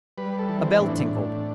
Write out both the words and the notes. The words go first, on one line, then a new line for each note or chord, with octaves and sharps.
A bell tinkled.
G3 B4
A4
E3
C4
A2 D4
A2